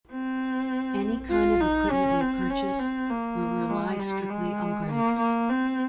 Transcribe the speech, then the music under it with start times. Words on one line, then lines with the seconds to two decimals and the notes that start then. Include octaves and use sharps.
Any kind of equipment we purchase, we rely strictly on grants.
0.12 C4
1.31 F4
1.61 D#4
1.91 C#4
2.20 C4
2.50 C#4
2.79 C4
3.10 A#3
3.70 G#3
3.99 G3
4.30 G#3
4.90 A#3
5.19 A#3
5.49 C4